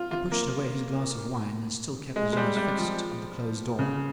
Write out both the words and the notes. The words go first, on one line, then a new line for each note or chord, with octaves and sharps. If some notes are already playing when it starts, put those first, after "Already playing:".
He pushed away his glass of wine, and still kept his eyes fixed on the closed door.
Already playing: F4
F4
A#3
G#3
G#3
G3
G3
F3
C#3